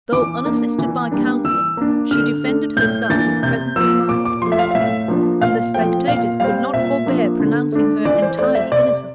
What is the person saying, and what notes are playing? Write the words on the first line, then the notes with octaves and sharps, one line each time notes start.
Though unassisted by counsel, she defended herself with presence of mind; and the spectators could not forbear pronouncing her entirely innocent.
E3 D6
A#3 D4
E3
G3 A#3 D4
E3 E6
A#3 D4
D3 F6
A3 D4
A2 G6
E3 A#3 D4 A6
C3 G6
F3 A#3 E6
A#2 D6
D6
F3 A3 C6
E5
F5
F5
A2 E5
F3 A#3 D4
A#2 F5
F3 A3 C4 G5
A#2 F5
G3 C4 F5
A#2 E5
F3 A#3 D4
D3
A3 D4
E3 D5
C5
A3 C4 D5
E5
C3 D5